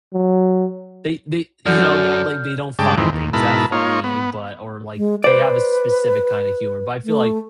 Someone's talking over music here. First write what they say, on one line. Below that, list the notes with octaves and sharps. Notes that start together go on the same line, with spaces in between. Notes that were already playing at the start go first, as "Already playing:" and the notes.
they they, you know, like, they don't find things that funny, but or, like, they have a specific kinda humor, but I feel like,
F#3
F#2 D3 F#4 F6 G6
G2 C#3 G#3 G5 A5 D6
F2 G#2 D#3 E3 C4
D#2
G#2 B2 E4 A#4 A5 B5
A#3 D#4 F4 C#5
B3
G#3
B4 C5 D5
A3